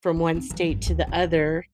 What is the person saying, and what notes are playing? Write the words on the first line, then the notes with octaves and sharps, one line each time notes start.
from one state to the other,
D#4
C4 D#4
E3 F#3
G#1 F#2
D2
D1 F4